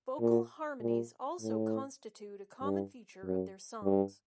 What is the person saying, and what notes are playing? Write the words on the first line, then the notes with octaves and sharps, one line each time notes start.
Vocal harmonies also constitute a common feature of their songs.
A#2
A#2
A2
G2
F#2
G2